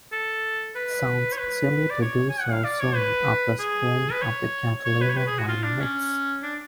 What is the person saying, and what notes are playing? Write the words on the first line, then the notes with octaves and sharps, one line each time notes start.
Sounds silly to do so soon after screwing up the Catalina Wine Mixe.
A4
B4
C#5
B4
D5
C#5
G#5
F#5
F5
D5
C#5
B4
G#4
B4
C#5
C#5
B4
C#5
B4
G#4
F#4
F4
D4
C#4
D4